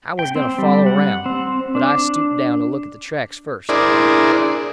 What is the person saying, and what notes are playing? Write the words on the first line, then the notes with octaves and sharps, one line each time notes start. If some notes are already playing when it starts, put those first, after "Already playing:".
I was going to follow around, but I stooped down to look at the tracks first.
G5
C4
G3
F#5
C4
D4
D4 E4 G#4 A#4 C5 D5